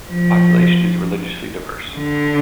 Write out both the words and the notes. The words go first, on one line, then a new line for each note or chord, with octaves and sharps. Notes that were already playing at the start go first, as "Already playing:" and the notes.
The population is religiously diverse.
F3
D3